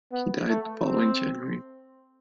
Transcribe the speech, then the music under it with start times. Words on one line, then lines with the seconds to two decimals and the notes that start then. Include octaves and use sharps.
He died the following January.
0.12 B3
0.48 A3
0.85 C4